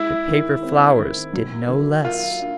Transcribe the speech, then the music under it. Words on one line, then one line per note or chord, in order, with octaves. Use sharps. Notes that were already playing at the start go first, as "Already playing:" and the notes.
The paper flowers did no less.
Already playing: G#3 E4
D#3
C4
D#3
F#3
D#3
A#3 F4
D4